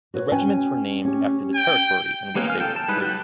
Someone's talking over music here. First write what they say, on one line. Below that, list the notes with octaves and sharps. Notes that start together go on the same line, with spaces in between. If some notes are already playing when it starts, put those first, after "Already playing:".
The regiments were named after the territory in which they were recruited.
F#4 B4 C#5
C#4 G5 G#5
C#4 G4
G5
G#3 A#3 B3 C#4 F4
F5 G#5 F6
A4 G5
A5
G3 G#3 D#4 B4
F#3 F#4 G4